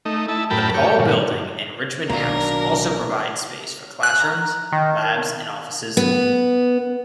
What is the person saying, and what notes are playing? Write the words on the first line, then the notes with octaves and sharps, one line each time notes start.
The Paul Building and Richmond House also provide space for classrooms, labs and offices.
A3 D#4
E4 A5
F#2 A2 A#4 G5 A5 B5
G4 C#5
G2 A#2 D3 F#3
B1 D#3 F#3 A#3 D4 A#4
F#6
A#5
D#3
B3